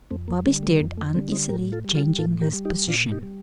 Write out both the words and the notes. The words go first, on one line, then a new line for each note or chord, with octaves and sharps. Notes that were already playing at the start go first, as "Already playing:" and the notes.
Bobby stirred uneasily, changing his position.
F2 A3 C4
A#3
D3 G3 A3
A3
F2 A#3
A3
D3 G3 A3 C4
C4 D#4
A2 G4 A#4
F4 A4
G3
F4 A4
A2 F4 A4
G4 A#4
G3
D#4 G4
A#2 D4 F4
D#4 G4
G3